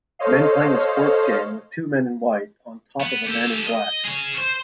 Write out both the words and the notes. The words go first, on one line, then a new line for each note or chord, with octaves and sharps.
Men playing a sports game with two men in white on top of a man in black.
A4 C5 C#5 D#5 F5
B3
G4 A4
D#5
G#4 C#5
C5